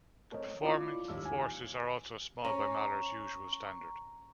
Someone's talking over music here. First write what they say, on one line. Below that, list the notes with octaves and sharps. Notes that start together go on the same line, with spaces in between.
The performing forces are also small by Mahler's usual standard.
A3 C4 A4 A#4 C#5 D#5
D4 E4 F4 B5 D6
D#2 D6 E6
G#5
C#4 A#5 C#6